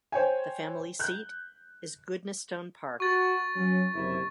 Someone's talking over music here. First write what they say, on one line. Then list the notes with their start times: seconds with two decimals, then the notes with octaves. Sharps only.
The family seat is Goodnestone Park.
0.12 C5 C#5 G5 G#5
1.00 F#6 G6
3.00 F#4 C#6 A6
3.55 F#3 C#4
3.94 F#1 C3 E4